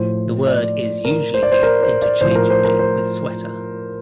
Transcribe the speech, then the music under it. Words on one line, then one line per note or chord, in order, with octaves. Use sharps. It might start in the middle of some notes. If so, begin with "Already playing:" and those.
The word is usually used interchangeably with sweater.
Already playing: A2 F3 C5
D5
A#4
C5
D5
C5
A#4
C5
D5
A2 F3 C5
A#4
C5
A#4
C5